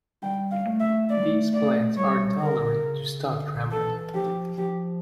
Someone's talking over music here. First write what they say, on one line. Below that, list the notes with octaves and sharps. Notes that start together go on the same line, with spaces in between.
These plants are intolerant to stock trampling.
G3 G5
F5
A3
E5
A3 D5
G3
A3
D5
G3 C#5
D3 A#4
C#3
D3
E3 A4
F3 G4
F3 G4